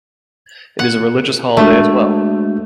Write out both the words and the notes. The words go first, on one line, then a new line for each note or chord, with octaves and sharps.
It is a religious holiday as well.
F#5
G#3 A3 D4 F#4